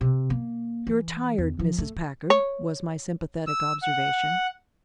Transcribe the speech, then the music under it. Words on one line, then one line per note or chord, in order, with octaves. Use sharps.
"You are tired, Mrs. Packard," was my sympathetic observation.
C3
A#3
E3
E2
F3
A3
C#5
E6
F#5